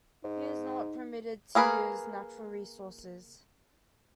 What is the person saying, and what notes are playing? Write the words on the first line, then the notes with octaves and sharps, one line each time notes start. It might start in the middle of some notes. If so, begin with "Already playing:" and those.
Here is not permitted to use natural resources.
G#2 D#4
A#3 G#4 A#4 B4